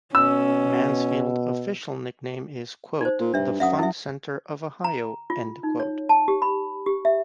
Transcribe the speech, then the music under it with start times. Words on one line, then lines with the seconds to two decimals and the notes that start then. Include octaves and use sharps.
Mansfield's official nickname is "The Fun Center of Ohio".
0.15 B2 C#4 E6
3.01 D#4 C5
3.20 A#2
3.34 G2 D4 E5
3.60 F#2 E5 F#5 D#6
3.79 E4 E5
4.84 A#5
5.30 F4
5.63 D#4
5.80 C#5
6.09 A5
6.28 G4
6.42 B5
6.86 G4
7.05 E5